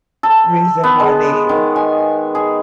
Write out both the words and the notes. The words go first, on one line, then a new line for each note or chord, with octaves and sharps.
reason why they
A4
B3
G#3
D#3
G#5
G#4